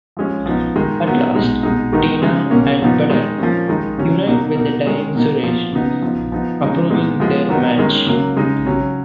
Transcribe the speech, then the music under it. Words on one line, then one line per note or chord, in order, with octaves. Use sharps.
At last, Tina and Badal unite with the dying Suresh approving their match.
F3 G#3 C#4
F3 B3 D#4
D#3 G#3 D#4
D#3 F#3 B3
B2 G#3 D#4
B2 G#3 D#4
D#3 G#3 B3 D#4
C#3 G#3 D#4
B2 A#3 C#4
A#2 F3 B3 D#4
D#3 G#3 D#4
F3 A#3 C#4
D#3 G#3 D#4
C#3 F#3 C#4
B2 F#3 A#3 D#4
B2 A#3 D#4
D#3 G#3 C#4
B2 A#3 D#4
A#2 F3 B3
C#3 F#3 B3 D#4
F3 B3 D#4
F3 B3 D#4
C#3 G#3 D#4
A#2 G#3 B3 D#4
F3 G#3 B3
D#3 F#3 B3 D#4
D#3 G#3 C#4
C#3 F#3 A#3
C#3 G#3 D#4
C#3 F#3 C#4